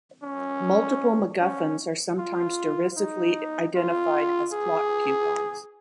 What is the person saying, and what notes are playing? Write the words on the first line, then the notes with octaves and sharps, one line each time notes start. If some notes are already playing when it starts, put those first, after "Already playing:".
Multiple MacGuffins are sometimes derisively identified as plot coupons.
C#4
C#4
F4
D#4
F4
G#4